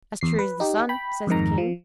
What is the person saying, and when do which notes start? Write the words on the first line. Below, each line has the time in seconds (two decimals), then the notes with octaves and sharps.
"As true as the sun," says the king.
0.21 E2 C7
0.39 B4
0.60 D#4 G4
0.89 G5 B5
1.27 F2 G#2 D#3 A#5
1.58 F3